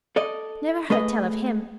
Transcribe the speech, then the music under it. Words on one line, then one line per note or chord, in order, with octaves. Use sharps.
"Never heard tell of him!"
A4 D5 D#5
A3 G#4 B4 D#5